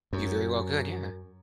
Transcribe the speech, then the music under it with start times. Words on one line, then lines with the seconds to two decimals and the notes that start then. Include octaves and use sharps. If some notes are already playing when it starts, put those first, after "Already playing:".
You very well could, yeah.
0.13 F#2